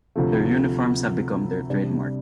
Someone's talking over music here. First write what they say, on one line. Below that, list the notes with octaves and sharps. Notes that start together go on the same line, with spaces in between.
Their uniforms have become their trademark.
D2 C3 F3 A3
C3 G3 D4